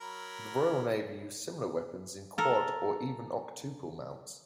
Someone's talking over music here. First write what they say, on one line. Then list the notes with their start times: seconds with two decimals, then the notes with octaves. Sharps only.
The Royal Navy used similar weapons in quad or even octuple mounts.
0.01 F#3 A#4 B5
2.38 A4 A#4